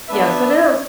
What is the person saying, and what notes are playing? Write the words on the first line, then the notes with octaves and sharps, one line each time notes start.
Yes, it is.
B3 D4 B4 E5